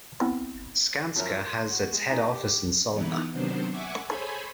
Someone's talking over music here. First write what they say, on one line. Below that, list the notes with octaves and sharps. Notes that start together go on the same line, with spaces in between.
Skanska has its head office in Solna.
B3 C4 E4
F#2 F3 C#4 A#4 E5
C6
F#4
G#3
D#4 E4 D#5 E5 G#5 A#5
G4
E3 B3 D#4 E4
C3 D#3 F#3 B3 D4 C5
E5 F#5 G#5 C#6 D6
G#4 A4 C5 C#5 G#5 B5